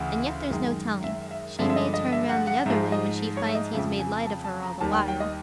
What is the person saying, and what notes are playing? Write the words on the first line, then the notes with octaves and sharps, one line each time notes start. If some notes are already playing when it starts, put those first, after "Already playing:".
And yet there's no telling--she may turn round the other way, when she finds he's made light of her all the while.
Already playing: D2 C#3 E3
F#2 D#3 G#3
E5
E5
G2 D3 F3 G#3 E5
E5
D#5
D#5
E5
F#5
F#5
G#2 F3 G#3 E5
D#5
C#5
E5
D#5
F2 C#3 F3 E5
G#5
A5
A5
A#5
D#2 D#3 G3 A5
G5
G5
D#5